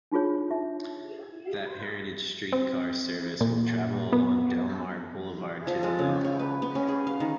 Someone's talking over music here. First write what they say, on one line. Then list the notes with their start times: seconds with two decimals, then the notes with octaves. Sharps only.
That heritage streetcar service will travel along Delmar Boulevard to the Loop.
0.12 D4 D#4 F4 G#4 C#5
0.50 D#4 E5
2.52 C4
3.41 A#2
4.12 B3
5.67 F3
5.83 G#3
5.99 C#3
6.24 C#5
6.39 B4
6.62 B3
6.75 C#4
6.88 G#4
7.07 F5
7.20 D#3